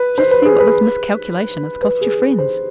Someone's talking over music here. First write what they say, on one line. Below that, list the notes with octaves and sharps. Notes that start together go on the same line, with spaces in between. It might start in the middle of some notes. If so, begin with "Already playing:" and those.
Just see what this miscalculation has cost your friends!'
Already playing: B4
C5
B4
G#4
B4
B4
G#4
C5